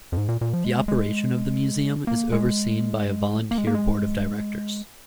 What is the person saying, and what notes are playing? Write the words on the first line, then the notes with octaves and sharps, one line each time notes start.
The operation of the museum is overseen by a volunteer board of directors.
F2
G#2
A#2
A#2
F3
G#3
G#3
A#3
G#3
A#3
G#3
A#3
G#3